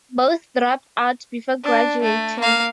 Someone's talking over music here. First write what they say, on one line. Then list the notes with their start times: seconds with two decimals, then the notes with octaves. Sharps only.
Both dropped out before graduating.
1.64 D4
2.02 A3
2.40 A#3 F5